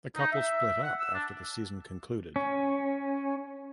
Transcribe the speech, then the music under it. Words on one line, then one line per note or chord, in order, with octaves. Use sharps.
The couple split up after the season concluded.
D#4
E5
F#5
E6
D4
C#4